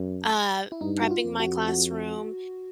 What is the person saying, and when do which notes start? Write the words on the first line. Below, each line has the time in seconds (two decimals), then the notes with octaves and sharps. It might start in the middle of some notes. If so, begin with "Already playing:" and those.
uh, prepping my classroom,
Already playing: F#2
0.72 E4
0.81 G2 D#4
1.01 F#4
1.11 F4
1.25 F2
1.39 F#4
1.68 F#4